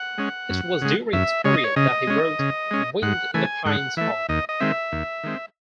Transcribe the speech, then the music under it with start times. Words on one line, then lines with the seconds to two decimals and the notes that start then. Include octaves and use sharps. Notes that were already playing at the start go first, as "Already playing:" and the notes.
It was during this period that he wrote "Wind in the Pines Hall".
Already playing: F#5
0.18 G#3 C#4
0.50 F#2
0.82 C#3 G#3
1.13 F#2 E5
1.44 C#3 G#3 C#5
1.54 D#5
1.64 C#5
1.76 C#3 D#5
2.07 G#3 C#4
2.39 C#3
2.71 G#3 C#4
3.02 G#2 F#5
3.34 E3 A3 G#5
3.65 G#2 F#5
3.97 E3 A3 E5
4.29 D#2 D#5
4.49 D#5
4.60 D#3 G#3 C4 E5
4.92 D#2
5.24 D#3 G#3 C4